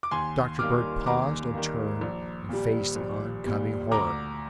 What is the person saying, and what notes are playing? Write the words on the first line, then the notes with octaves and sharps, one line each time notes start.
Dr. Bird paused and turned and faced the oncoming horror.
D6
D#2 G#5 C6
D#3 G3 A#3 D6 F6
D#2 A#5 D6
D#3 G3 A#3
A#1
A#2 G3
A#1
A#2 G3
D2 A#5 D6